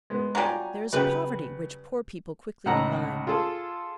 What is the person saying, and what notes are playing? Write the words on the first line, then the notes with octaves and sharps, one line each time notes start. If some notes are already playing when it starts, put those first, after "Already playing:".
There is a poverty which poor people quickly divine.
G#3 B3
F#3 G3 F4 G#5 A#5
C#3 F#3 G3 B4
C#2 A2 D#4 F#5 A#5 E6
F4 G#4 A4